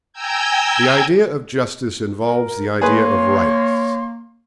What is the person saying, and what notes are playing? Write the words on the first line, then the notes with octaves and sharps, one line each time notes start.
The idea of justice involves the idea of rights.
G5 G#5 A#5 E6 G6 G#6
A#4
A#3 G#4 B4 C#5 C6